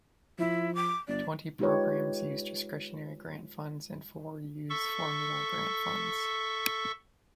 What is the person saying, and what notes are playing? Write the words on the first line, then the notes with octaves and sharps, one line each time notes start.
Twenty programs use discretionary grant funds and four use formula grant funds.
F3 E4
D6
G1 D5
G#3 D#4 F4 G4 B4 C#5
A4 E5 C#6